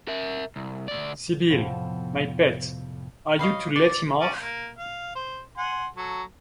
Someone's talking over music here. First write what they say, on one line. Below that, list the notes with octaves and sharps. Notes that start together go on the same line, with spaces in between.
Sybil, my pet, are you to let him off?
A#4 E5
C2
D2 D5
F2 A2 C3 F3 B3
C#5 D#5 F5 B5
D5
C#4 D5
A#3
F5
C5
F#5 G#5 C6
F#3 A4